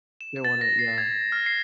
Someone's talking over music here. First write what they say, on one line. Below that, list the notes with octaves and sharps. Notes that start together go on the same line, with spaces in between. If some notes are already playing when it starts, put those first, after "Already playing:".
they wanna yeah.
E7
A6
A#6
C7
G#6
F6
C7